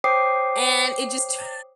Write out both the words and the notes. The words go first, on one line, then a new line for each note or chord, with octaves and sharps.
and it just turned
C5 C#5 G5 D6 D#6 C7